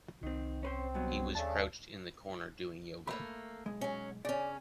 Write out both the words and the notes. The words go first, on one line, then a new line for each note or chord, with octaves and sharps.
He was crouched in a corner doing yoga.
C2 D#3 C4
C4 C#4 B4 C5
G2 B2 F#3
D#2 C#3 A3 D4 A5
A3 A#3 B5
B1 G#3
F#3 C#4
C#3 C#4 D5